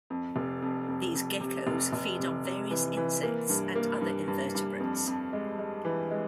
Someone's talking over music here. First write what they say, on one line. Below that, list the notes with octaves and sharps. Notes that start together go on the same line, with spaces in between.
These geckos feed on various insects and other invertebrates.
F2
F1
F2
F2
F2
C3
F1
F1
C3
C3
E3
E3
A#3
G2
A#3
G2
G2
G2
F2
F2
G#3
G#3
E3
G#3